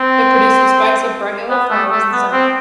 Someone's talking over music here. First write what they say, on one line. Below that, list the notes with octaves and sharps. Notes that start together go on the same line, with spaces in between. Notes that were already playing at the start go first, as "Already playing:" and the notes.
It produces spikes of bright yellow flowers in summer.
Already playing: C4
B3
A3
A3
B3
C4